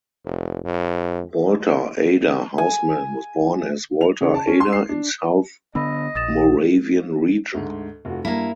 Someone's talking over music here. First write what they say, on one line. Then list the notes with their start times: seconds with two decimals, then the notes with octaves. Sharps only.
Walter Ader Hausman was born as Walter Ader in South Moravian Region.
0.25 F1
0.65 F2
2.58 G#5
4.01 F7
4.21 C#3
4.34 A5
4.47 C#4
4.60 C6
4.73 C7
4.89 D4
5.75 D3 B3 D4 D#5 B5 E6
6.15 A#1 D#6 A6 E7
7.55 D2 G#2
8.05 F1 F4 F#4
8.25 G2 A#3 E4 A#5